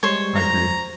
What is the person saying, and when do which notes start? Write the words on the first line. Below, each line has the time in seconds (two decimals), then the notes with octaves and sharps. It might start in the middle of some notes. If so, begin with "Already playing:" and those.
I agree.
0.03 G3 G#3 C5 C#5
0.35 A#5